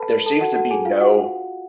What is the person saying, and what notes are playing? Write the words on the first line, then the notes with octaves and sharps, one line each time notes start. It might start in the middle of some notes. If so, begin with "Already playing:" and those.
there seems to be no
Already playing: A4 B4 A5 B5
A4 A5
F#4 F#5
F#4 F#5
G#4 G#5
F4 F5
F#4 F#5